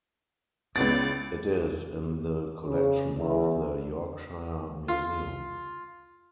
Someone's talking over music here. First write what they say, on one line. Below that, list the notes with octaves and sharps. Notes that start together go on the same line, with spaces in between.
It is in the collection of the Yorkshire Museum.
C#2 B3 D5 A6
C#3
E2
F4